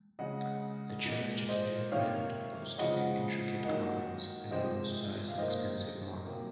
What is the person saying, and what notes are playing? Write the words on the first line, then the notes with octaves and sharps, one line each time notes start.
The church is very grand boasting intricate carvings, enormous size, and expensive marble.
C#3 G#3 D#5 F#5
A#2 G#3
C5 D#5
C3 D#3 A#3 C#5 F5
C#3 F3 G#3 D#5 F#5
D#3 F#3 A#3 D#5 F#5
C3 F3 G#3 C5 D#5
F5
D#3 A#3 C5 D#5
C3 F#3 A#3